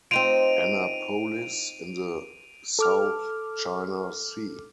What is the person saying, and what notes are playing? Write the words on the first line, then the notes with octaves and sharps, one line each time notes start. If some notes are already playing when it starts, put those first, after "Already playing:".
Annapolis in the South China Sea.
C4 D#4 F4 D7 D#7 F7
A4 D6 F6